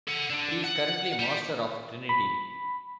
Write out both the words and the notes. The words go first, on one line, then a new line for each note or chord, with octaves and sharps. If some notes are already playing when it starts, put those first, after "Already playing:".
He is currently Master of Trinity.
A4 F#5
D3 D4
F#5
G3
B5